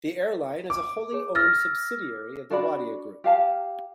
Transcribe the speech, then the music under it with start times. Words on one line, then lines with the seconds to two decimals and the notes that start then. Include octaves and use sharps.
The airline is a wholly owned subsidiary of the Wadia Group.
0.70 D6
1.12 G#4 C#5
1.35 E6 F6 A6 A#6
2.50 D4 F#4 D5 B5
3.24 G4 F5 A5